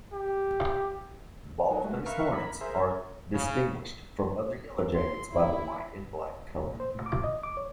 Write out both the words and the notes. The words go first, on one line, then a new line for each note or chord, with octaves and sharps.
Baldfaced hornets are distinguished from other yellowjackets by their white and black coloring.
G4
F#3 D#4
G#3 A3 F#4
A#4 B4 E5 F5 C#6
A#4 B5
G#4 A#4 C5 E5
C#3
C6
E4
A#2
C5
A2
D6
D#5
D6
C#5